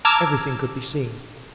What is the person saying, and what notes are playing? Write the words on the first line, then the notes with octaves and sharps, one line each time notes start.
Everything could be seen.
A5 A#5 D6 E6 F6 G#6